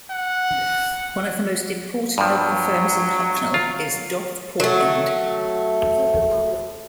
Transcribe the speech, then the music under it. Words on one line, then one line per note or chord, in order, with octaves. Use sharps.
One of the most important local firms in Hucknall is Doff Portland.
F#5
G2 F3 F#3
F4
F#3 A3